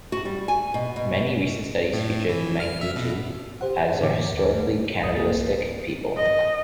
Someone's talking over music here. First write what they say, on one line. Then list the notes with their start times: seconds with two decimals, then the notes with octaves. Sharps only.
Many recent studies feature the Mangbetu as a historically cannibalistic people.
0.12 F#4
0.25 G3
0.48 G#5
0.74 B2
0.96 B2
1.93 A2
2.29 E3
2.60 F6
2.81 E5
2.96 B2
3.61 G4 C5 F#5
4.00 A2 D3 E3 D6
4.32 D#2
4.55 A3
5.03 C2 D#6 C#7
5.15 B1 A#3 G4 G#4 A#4 A6
6.16 D#5